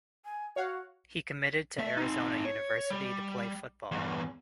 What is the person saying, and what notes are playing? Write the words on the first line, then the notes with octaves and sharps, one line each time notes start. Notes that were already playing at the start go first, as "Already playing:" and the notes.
He committed to Arizona University to play football.
G#5
F#4 C#5 F5 F#5
A3 E5
C4 D#4
C#5
G3
E2 G2